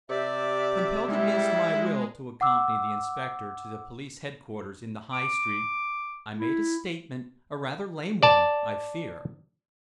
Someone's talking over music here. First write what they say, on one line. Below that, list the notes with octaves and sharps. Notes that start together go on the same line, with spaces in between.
Compelled against my will to accompany the inspector to the police head-quarters in the High Street, I made a statement--a rather lame one, I fear.
C3 G4 D5 E5
G3 G#3 E4
F#5 D6 E6
D6
E4
D5 A5